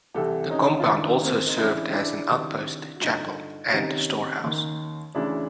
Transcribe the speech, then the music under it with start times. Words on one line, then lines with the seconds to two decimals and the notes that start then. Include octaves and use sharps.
The compound also served as an outpost, chapel, and storehouse.
0.14 C2 C3 E3 G4 A4
0.50 C#4 D#4
0.80 F4
0.86 F#2 D#3 D4 E4
1.22 A#3 C4
1.47 D#4
1.57 C#2 C#3 E3 D4 E4
1.94 D4 E4
2.29 C2 C3 D#3 D4 E4
2.96 F#4
3.00 G2 D3 D#4 F4
3.72 C2 C3 D#3 C#4 D#4
4.43 D#2 D#3
5.15 D2 C#3 E3 D4 E4